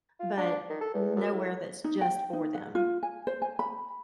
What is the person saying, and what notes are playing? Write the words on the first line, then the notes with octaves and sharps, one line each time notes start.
but n nowhere that's just for them,
F4
D4
D#3
A4
E2
F#2
A2
D#4
G5
D#4
F#5
F4
G#5
C5
G#5
B5